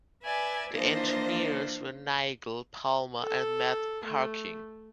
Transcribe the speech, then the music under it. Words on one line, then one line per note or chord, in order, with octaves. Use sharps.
The engineers were Nigel Palmer and Matt Parkin.
B4 D5 E5 G#5
E3 A#3 D4 F4 C5 D#5
A4
A3